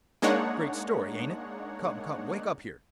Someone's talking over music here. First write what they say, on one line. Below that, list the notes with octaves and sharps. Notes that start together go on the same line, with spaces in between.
Great story, ain't it? Come, come, wake up here.
G#3 A#3 D4 D#4 C#5 F#5